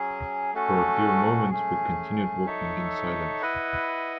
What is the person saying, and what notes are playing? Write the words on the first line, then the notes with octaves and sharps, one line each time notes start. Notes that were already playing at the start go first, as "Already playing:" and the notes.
For a few moments, we continued walking in silence.
Already playing: F#3 C#4 G#4
A3 C#4 F#4 A4
A3 C#4 G#4
D#4 A4 C#5 E5
E4 B4 D#5 F#5